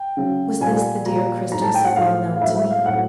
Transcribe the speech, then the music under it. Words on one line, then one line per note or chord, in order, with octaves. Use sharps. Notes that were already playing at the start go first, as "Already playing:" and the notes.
Was this the dear Cristel so well known to me?
Already playing: G5
C#3 F#3
A#2 G3 G#5
A#2 G3 A#5
A2 F#3 A#5
A5
G5
F#5
A2 F#3 F5
F5
A2 F#3 E5
E5
F5
A2 F#3 F#5